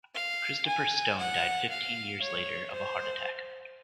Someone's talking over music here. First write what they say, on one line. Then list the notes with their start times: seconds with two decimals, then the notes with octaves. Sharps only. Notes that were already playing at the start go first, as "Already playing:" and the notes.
Christopher Stone died fifteen years later of a heart attack.
0.14 F5
0.66 G#5
1.18 F#5
1.69 F5
2.21 C#5
2.72 C5